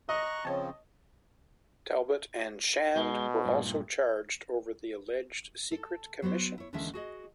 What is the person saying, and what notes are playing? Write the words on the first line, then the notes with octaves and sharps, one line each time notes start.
Talbot and Shand were also charged over the alleged secret commissions.
D#5 A#5 C#6 F#6
C#3 F3 C4 C#5 A5
B2 G#3
G2 A#2
A4
F#3 B3 F#4 C5
E4 C#5
D#2 D3 E3 G#3 C#4 E5
F#4 G#4 D#5